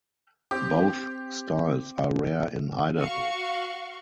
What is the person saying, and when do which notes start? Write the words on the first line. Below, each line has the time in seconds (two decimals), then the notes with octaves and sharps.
Both styles are rare in Idaho.
0.51 C4 G4 D6
2.98 F#4 F5 C#6